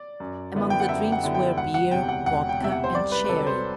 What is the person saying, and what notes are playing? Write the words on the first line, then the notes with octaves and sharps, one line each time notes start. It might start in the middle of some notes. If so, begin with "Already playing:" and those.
Among the drinks were beer, vodka and sherry.
Already playing: D5
F#2
D3 G3 B3 E4
G5
F#5
F#2 E5
F#5
D3 G3 B3 E4
G5
E1 F#5
F#5
E2 C3 G5
F#5
E1 F#5
G5
E2 C3 E5
F#5
C5
C2 D5
B4
B4
C3 F#3 A4
C5